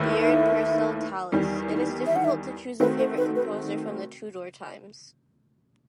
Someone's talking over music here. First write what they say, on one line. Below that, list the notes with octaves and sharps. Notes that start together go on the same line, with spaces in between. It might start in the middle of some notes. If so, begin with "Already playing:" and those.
Byrd, Purcell, Tallis, it is difficult to choose a favourite composer from Tudor times.
Already playing: D#2 D#3 A3 E4 B4
E5
E2 D#3 G3
E5
F#5
E5
D#3 A3 C4 F#4 B4
C5
B4
B4